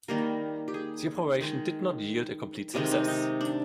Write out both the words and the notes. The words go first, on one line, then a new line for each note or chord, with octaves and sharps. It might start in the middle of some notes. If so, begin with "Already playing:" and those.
The operation did not yield a complete success.
D#3 G3 A#3 A#4
G4
G#4
D#3 G#3 G#4
C3 D#3 G#3 G4
D#4
D#4
D4